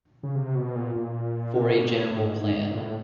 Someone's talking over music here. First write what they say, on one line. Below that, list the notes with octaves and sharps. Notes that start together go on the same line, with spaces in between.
For a general plan.
C#3
C3
B2
A#2
A#2
C3
B2
A#2
A2
A2
G#2
G#2
G#2
A#2
A2